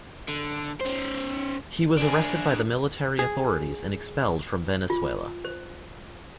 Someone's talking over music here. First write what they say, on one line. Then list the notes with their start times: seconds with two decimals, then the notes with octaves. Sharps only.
He was arrested by the military authorities and expelled from Venezuela.
0.29 D3
0.81 C#4 C5
1.97 D4 G#4
3.19 G#4
4.90 F4
5.45 C5